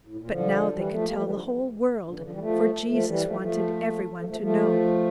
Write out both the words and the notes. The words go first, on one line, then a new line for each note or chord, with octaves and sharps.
But now they could tell the whole world, for Jesus wanted everyone to know.
A2
A#2
D3 F3
E3 G3
F3 A3
G3 A#3
F3 A3
E3 G3
D3 F3
A#2 D3
C#3 E3
D3 F3
E3 G3
F3 A3
F3 A3
E3 G3
F3 A3
F3 A3
F3 A3
F3 A3
F3 A3